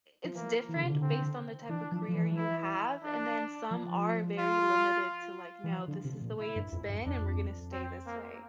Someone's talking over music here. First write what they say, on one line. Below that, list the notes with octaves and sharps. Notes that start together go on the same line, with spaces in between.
it's different based on the type of career you have, and then some are very limited to, like, "No, this is the way it's been, and we're gonna stay this way."
F3
E3 A#3
E3
D3
C3
D3
C4
E3 D4
F3
F3
E3
E4
D4
F3
F4
E3
F3
D3
C3
A#2
E4
G2
F2
G2
F2 D4
C4
A#3